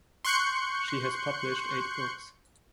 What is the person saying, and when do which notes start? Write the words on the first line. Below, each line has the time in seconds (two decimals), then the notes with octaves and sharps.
She has published eight books.
0.25 C6 C#6 F#6 G6 C#7